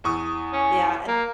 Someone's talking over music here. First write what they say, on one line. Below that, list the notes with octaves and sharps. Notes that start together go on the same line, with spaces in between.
Yeah, and
E2 C#6 D#6
C#4
A#3